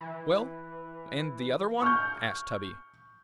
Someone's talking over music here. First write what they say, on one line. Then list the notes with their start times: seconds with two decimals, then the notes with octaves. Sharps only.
'Well, and the other one?' asked Tubby.
0.01 E3
1.82 C#6 F6 G6